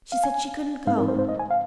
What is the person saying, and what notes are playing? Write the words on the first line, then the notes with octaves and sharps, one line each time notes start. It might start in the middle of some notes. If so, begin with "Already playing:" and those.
She said she couldn't go.
F5
G#5
G#2 G#3 C4 D#4 F5
A#4
C5
C5
D#5
G#5
F5